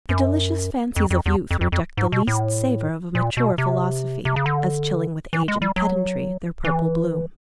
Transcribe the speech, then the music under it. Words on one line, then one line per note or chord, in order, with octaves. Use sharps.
The delicious fancies of youth reject the least savor of a mature philosophy, as chilling with age and pedantry their purple bloom.
F#2
F2
F2
E2
F2
F2
F2
G#2
B2
A2
A#2
B2
C3
C3
C#3
D3
E3
G#3
G3
F#3
E3